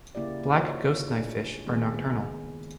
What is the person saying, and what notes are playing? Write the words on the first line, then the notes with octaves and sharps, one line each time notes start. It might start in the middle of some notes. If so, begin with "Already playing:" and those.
Black ghost knife fish are nocturnal.
C#3 A#3 E4 G4 D5
D#4 F4 F#4 A#4 C5 C#5
D4 G#4
D#3 G#3 A#3 B3 G#4